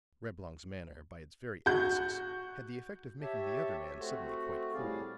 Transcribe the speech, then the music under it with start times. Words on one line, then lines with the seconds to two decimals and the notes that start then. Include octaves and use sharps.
Reblong's manner, by its very emphasis, had the effect of making the other man suddenly quite cool.
1.66 F#4 G6
3.22 G4 C#5 E5 A5
3.99 A3 C4 F#4
4.74 A2 G3 G#4 D5 F5